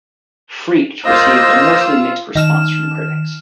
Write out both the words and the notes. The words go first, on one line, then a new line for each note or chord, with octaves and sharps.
"Freaked" received a mostly mixed response from critics.
A#3 F4 C5 D#5 E6
D#3 F6 E7